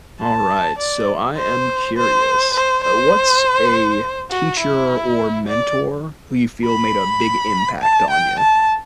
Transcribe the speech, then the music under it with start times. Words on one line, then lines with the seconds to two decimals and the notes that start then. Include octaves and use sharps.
Alright so I am curious, uh, what's a, teacher or mentor who you feel made a big impact on ya?
0.20 A5
0.79 D5
1.37 C5
1.97 C5
2.54 C5
2.84 C5
4.31 F#4
4.59 E4
5.48 D5
6.65 B5
7.82 A5
8.10 G5
8.40 A5